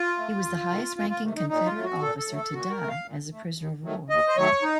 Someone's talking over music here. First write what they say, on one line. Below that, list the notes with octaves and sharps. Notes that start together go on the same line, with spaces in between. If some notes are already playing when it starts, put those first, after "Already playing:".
He was the highest ranking Confederate officer to die as a prisoner of war.
Already playing: F4
A3
F2
C3 D#3 A3
F2 F4
F4
C3 D#3 A3
D#4
A#2 D#4
F4
F#3 A3
F#4
A#2 A4
A4
F#3 A3
A4
A#2 F#4
A#4
A3
F5
A#2
A3
D#2
D#3 F#3 A3
D#2 D#5
C5
D#3 F#3 A3 C#5
D#4